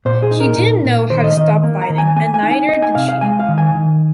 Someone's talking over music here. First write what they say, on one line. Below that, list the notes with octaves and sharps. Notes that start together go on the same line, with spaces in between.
He didn’t know how to stop fighting, and neither did she.
A#2 C5
G#4
D#4
A#4
A#2
A#2
D#3 C5
D#5
D#3 D#5
A#3
A#5
D#3
G#5
A#3 G#5
G#5
D#4
G#5
D#4 D#5
G#5
C3 F5
F5
G#3 G#5
F5
D#3
G#5
D#3